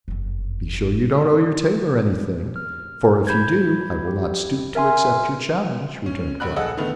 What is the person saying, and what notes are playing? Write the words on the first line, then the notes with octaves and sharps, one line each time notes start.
"Be sure you don't owe your tailor any thing, for if you do, I will not stoop to accept your challenge," returned Briarly.
F#1 F2
F6
B5 G6 G#6
G4
A#4 E5 G#5 C6 F6
C#4
A#1 B5 F#6
G#4 A4 D#5 F#5 E6
D3 D#3 A3 B3